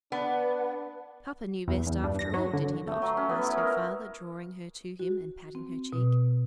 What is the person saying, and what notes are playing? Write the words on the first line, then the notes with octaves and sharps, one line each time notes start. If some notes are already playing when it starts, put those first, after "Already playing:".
"Papa knew best, after all, did he not?" asked her father, drawing her to him, and patting her cheek.
B3 D4
E2
E2
G2
A#6
F#3
D3
A3
F#3
C#4
B3
E4
A#4
F#4
C4
B2